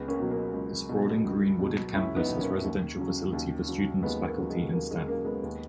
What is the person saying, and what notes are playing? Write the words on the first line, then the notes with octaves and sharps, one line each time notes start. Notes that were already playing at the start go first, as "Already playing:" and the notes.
The sprawling green wooded Campus has Residential Facility for students, faculty and staff.
Already playing: C#2 G#3 B3
A#3 C#4
B2 F#3
A#3 C#4
C#2
B2 F#3
C#2
B2 F#3
C#2 C#4 E4
B3 D#4
B2 F#3
A#3 C#4
D#2
C#3 F#3
D#2
C#3 F#3
D#2 G#3 B3
A#3
C#3 F#3
G#3
D#2 A#3
G#3
C#3 F#3 A#3
G#3 B3
D#2